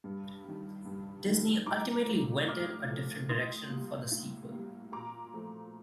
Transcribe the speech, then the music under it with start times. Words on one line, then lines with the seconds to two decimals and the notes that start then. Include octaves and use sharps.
Disney ultimately went in a different direction for the sequel.
0.04 G2
0.44 D#3 G3
0.86 G2
1.27 D#3 G3
1.66 A2 A#5 D6
2.07 F3 A3
2.37 D#6
2.48 A2 D6 F6
2.89 F3 A3
3.29 A2 C6 D#6
3.70 G3 A#3
4.11 A2
4.51 G3 A#3
4.92 A#2 A#5 D6
5.33 F3 A3